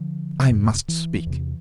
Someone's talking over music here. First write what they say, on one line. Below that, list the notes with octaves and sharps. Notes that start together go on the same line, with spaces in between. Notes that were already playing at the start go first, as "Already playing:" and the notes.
I must speak.
Already playing: D3 F3
F2 C3
E3
E2 C3